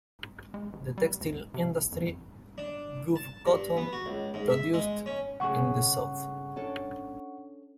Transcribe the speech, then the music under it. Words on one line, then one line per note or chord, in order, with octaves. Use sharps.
The textile industry wove cotton produced in the South.
G#3
A1
G3
D2
D1
C3
B1
F2
F2
D4
A5
G2
B3
F#4
C#2
G#2
E5
G#3
C#4
C#3 A3 G#4 F#5 C#6
C#4 D4 A4